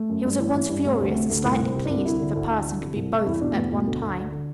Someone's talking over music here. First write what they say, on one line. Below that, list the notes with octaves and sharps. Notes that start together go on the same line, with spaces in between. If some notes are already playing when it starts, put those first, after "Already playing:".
He was at once furious and slightly pleased, if a person could be both at one time.
Already playing: A3
F#2
G2
E3
E3
G2
C3 A3
D2 A3
C3 A3
D2 A3
C2 A3
C2
C4
C3
C2 D4
D2 E4
D3
D2
D3
E3
C3
C2
C2
E2 E4
B2 D4
A3
E2 B3
B2 A3
D2
D2
D3
D3